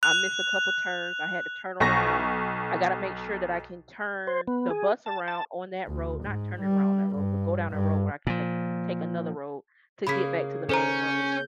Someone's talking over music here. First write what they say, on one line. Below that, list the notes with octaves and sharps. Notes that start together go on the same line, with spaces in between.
I missed a couple of turns, I had to turn around, I gotta make sure that I can turn the bus around on that road, not turning around on that road, but go down a road where I can take take another road to get back to the main road.
F#6 F7
B1 C#6 A#6
C5
B3
G#4
A5
A5
D2
G#2
G3
G2
G2
A#2 F3
C#3 A#3 G#4 B5 B6
C#4 A4 C5 A#5 G6